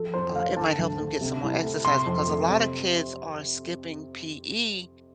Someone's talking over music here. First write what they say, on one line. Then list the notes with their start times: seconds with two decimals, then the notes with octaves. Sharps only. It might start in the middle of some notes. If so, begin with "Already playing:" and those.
uh, it might help them get some more exercise, because a lot of kids are skipping PE
Already playing: F3 A4
0.14 F2 C5
0.35 A3 F5
0.57 D3 A5
0.79 D2
1.00 A3
1.21 C3
1.43 C2
1.63 A3
1.85 C3 C6
2.06 F2
2.27 A3
2.49 C3